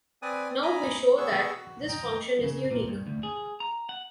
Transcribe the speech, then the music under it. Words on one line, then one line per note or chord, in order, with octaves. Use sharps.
Now we show that this function is unique.
C4 B4 D5 G#5 D#6
D#5 G#5 A#5 B5 D6
B3 G#4 C#6 E6
F#4
D#5 G5 A#5
C#3
A#2
G2
D2
G#4
A#5
F#5